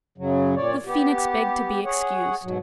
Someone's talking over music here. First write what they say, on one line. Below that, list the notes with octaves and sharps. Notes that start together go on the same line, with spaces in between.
The Phoenix begged to be excused.
F#2 C#3 F#3
A#2 C#5 D5
B3 G4
G#4 C#5 F#5
G#2 B2 F#3